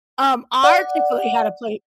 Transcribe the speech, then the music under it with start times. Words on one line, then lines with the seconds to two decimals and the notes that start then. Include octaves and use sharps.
um, our Chick-fil-A had a plate.
0.64 D5 F#5